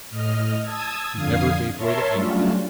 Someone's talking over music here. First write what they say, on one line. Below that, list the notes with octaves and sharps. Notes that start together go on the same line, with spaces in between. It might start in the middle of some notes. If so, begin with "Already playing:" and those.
He never gave way to anger.
A2 D#5 F6
A5 D#6 E6 G#6
F2 D3 F5 D#6 G#6 C7
A#4 C#5 E5 A5 C6
F#3 G3 A3 C#4 D4 F4